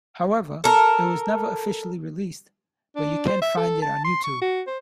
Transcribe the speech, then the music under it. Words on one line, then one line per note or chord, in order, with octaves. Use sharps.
However, it was never officially released, but you can find it on youtube.
A4 A#4
D4
C5
E5
A4
A5
C6
C#6
F#4
C5